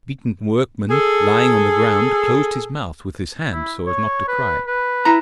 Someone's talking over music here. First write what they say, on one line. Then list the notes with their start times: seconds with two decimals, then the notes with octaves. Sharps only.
The beaten workman, lying on the ground, closed his mouth with his hand so as not to cry.
0.89 G#4 A4
3.52 E4
3.86 C#5
4.28 B4
4.67 B4
5.05 E4 A#5